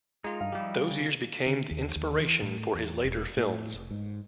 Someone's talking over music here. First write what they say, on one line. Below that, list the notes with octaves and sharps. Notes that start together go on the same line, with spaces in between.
Those years became the inspiration for his later films.
G#3 D#4 F4 A#4
G2 F5
F3 G3 D#4 E4 G4
C#3
D3
D#2
D#2
E3
A2
E2
E1
A2
F1
G#2